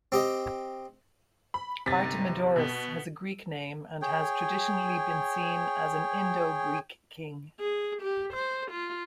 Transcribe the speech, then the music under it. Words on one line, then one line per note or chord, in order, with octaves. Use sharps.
Artemidoros has a Greek name and has traditionally been seen as an Indo-Greek king.
C4 G4 D#5
B5
G1 C3 D#4 A6 B6
B2 B3
G#4 C#5 G5
G#4
G4
C5
F4